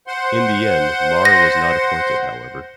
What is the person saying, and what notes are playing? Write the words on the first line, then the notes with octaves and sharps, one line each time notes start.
In the end, Mara was not appointed, however.
C5 F#5 C6
A#6